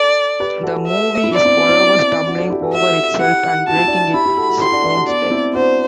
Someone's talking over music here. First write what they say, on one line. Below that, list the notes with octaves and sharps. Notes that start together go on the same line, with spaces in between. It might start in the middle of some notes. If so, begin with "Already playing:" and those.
The movie is forever stumbling over itself and breaking its own spell.
Already playing: A4 D5
G4 B4
F#4 A4
E5
E4
B3 D4 D5
C4 E4
D4 F#4
C4 E4
D4 F#4
F#4 A4
E4 G4
F#4 A4
F#4 A4 E5
E4 G4 F#5
F#4 A5
E4
D4 F#4
E4 G4 B5
E4 G4
F#4 A4
F#4 A4
E4 G4 C6
D4 F#4
D4 F#4
D4 F#4
B3 D4 D5
C4 E4
D4 F#4 C5